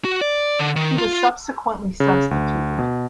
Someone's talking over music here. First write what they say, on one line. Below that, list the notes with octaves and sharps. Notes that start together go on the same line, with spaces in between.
He was subsequently substituted.
F#4
D5
D3
D#3
F4
C#3
D2
B2